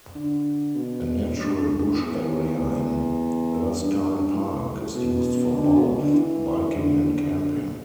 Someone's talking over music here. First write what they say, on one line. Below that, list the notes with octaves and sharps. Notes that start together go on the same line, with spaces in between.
A natural bush area in Erskine Park is used for both biking and camping.
D3
B2
G2
E2
G2
A2
B2
D3
B2
D3
E3
D3